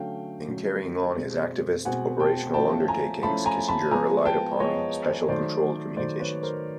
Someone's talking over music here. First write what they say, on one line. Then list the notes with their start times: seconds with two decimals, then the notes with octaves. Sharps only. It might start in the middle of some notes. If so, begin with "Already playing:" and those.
In carrying on his activist, operational undertakings, Kissinger relied upon special controlled communications.
Already playing: D3 F#3 A3 C#4 F5 G5
0.48 D3 F#3 A3 C#4
1.17 B2 G#3 C4
1.85 B2 G#3 C4 F#5 G#5
2.20 G5 A5
2.54 F3 A3 C#4 E4 G5 A5
2.88 G#5 A#5
3.23 F3 A3 C#4 E4 A5 B5
3.46 G#5 A#5
3.68 A5 B5
3.91 F3 G#3 B3 G#5 A#5
4.25 G5 A5
4.60 F3 G#3 B3 C#5 D#5
5.28 D#3 F#3 A3 C5 D5
5.97 D#3 F#3 A3 C5 D5
6.20 B4 C#5
6.43 A#4 C5